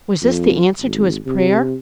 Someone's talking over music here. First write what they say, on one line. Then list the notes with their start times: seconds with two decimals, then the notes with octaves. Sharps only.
Was this the answer to his prayer?
0.22 F2
0.81 G#1
1.26 C3